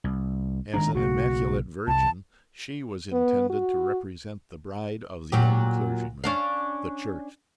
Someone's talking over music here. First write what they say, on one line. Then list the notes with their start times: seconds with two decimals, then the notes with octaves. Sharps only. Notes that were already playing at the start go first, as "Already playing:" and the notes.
As an immaculate virgin, she was intended to represent the bride of the young clergyman, the Church.
0.04 C2
0.74 D#3 G#3 D4 A#5
0.94 B1 C#3 A#3 F#4
1.87 C2 A5
3.12 B3
3.50 F#4
5.32 A#2 F#3 G4
6.24 C#4 D4 F5